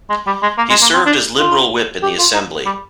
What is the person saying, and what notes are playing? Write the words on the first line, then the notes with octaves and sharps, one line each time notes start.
He served as Liberal whip in the assembly.
G#3
G3
G#3
A#3
G#3
A#3
C4
D4
F4
G4
F4
D#4
G3